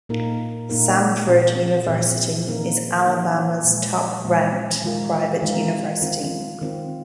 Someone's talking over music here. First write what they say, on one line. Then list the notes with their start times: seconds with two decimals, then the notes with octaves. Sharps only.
Samford University is Alabama's top-ranked private university.
0.09 A#2 A#3 D#4 A#4
0.70 A#2 A#3 D#4 A#4
1.28 A#2 F3 C4 G#4
1.88 A#2 F3 C4 G#4
2.47 D#3 A#3 D#4 A#4
3.06 D#3 A#3 D#4 A#4
3.64 A#2 F3 G#3
4.25 A#2 F3 G#3
4.83 D#3 G#3 F4 A#4
5.42 D#3 G#3 F4 A#4
6.02 D#3 C4 F4
6.61 D#3 C4 F4